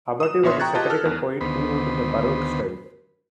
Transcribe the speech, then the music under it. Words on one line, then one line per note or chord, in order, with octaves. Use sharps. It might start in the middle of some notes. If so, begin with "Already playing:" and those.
Abati was a satirical poet who wrote in the Baroque style.
D#6 E7
A#1 B3 C#5 E5 C6
G5 A#5 C#6 F#6 G#6 A6
F4 G4 D#5 A5
A4 F6 F#6
E2
D2 D#3 B3 C5 B5